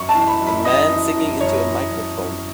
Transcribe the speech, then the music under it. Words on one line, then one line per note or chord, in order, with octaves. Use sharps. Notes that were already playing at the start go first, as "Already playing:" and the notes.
A man singing into a microphone.
Already playing: F#2 C#6
A5
E3
B5
F#2
B5
F#2 D#5
E3
F#2
F#2 C#5
E3
F#2
F#2